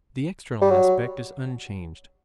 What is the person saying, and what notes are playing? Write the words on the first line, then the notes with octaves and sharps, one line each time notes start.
The external aspect is unchanged.
G3
F#3